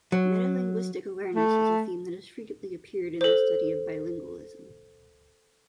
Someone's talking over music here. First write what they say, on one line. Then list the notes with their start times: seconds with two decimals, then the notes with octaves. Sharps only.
Metalinguistic awareness is a theme that has frequently appeared in the study of bilingualism.
0.12 F#3
1.35 A3
3.21 A4 C5